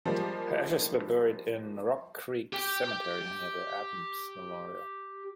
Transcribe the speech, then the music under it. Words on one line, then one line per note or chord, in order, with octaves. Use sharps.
Her ashes were buried in Rock Creek Cemetery near the Adams Memorial.
F3 G3 G#3 A#3
G4 G5